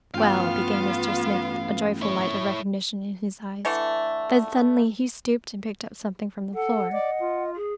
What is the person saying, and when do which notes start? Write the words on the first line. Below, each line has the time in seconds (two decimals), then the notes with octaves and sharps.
"Well--" began Mr. Smith, a joyful light of recognition in his eyes. Then suddenly he stooped and picked up something from the floor.
0.14 A1 G2 B3 F4 F5 G5
2.02 E4 C#5
3.65 D3 E3 A3
6.54 A4 F#5
6.92 D5 D#5
7.20 F4
7.56 G#4